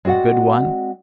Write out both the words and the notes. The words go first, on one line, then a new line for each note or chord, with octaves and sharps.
A good one?
G#3 C4 F#4 D5 F#5